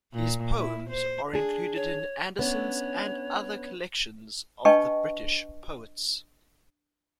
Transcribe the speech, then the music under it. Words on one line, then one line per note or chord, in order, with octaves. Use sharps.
His poems are included in Anderson's and other collections of the British poets.
A#2
E4
C5
D4 G#4
C#5
B3 C#4 D4 C#5
D4 B4 D#5 G5 A5 C#6